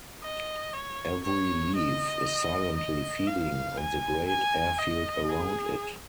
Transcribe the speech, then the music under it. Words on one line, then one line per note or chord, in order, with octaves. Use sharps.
Every leaf is silently feeding on the great airfield around it.
D#5
C#5
C#5
D#5
D#5
F5
G#5
G#5
D#5
G#4